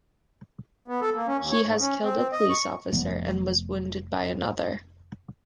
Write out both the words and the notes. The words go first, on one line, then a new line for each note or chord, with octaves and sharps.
He has killed a police officer and was wounded by another.
B3
A4
A#3
C#4
D#2
C#5
G#2
C#4
C4
C4
D#5
C#6
F1 F3 G3 B3